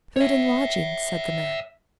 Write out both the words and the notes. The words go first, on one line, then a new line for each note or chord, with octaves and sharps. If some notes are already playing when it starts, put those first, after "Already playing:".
"Food and lodging," said the man.
C#5 E5